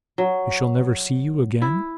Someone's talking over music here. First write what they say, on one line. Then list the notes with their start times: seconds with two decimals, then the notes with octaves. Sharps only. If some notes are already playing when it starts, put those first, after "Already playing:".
"We shall never see you again?"
0.18 F#3
1.62 E4